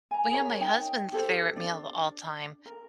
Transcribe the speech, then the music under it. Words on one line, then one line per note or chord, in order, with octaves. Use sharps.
Well, you know, my husband's favorite meal of all time
G#5 A#5
G#4 A#4 C#5 A#5
D#4 G5 A5
G4 A4 C5
D4 D5
A#4